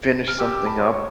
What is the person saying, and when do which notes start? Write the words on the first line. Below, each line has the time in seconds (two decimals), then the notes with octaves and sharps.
finish something up
0.28 F6
0.38 G4 D6 E6
0.52 D6 E6
0.66 A5 B5
0.79 C#5 C6
0.91 C#6